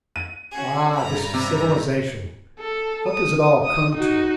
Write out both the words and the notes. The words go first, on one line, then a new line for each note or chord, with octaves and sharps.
Ah! this civilization, what does it all come to?
D#7
C#4 F#4 G#4
G2 A#5 B5
C3
A4
D#6
D#6
D#4 F#4